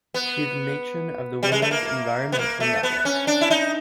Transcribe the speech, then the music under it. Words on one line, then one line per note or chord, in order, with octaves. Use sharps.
She is Matron of the Women's Environmental Network.
B3
G3
G#3
A3
A#3
B3
A#3
A3
B3
C#4
D4
E4
D#4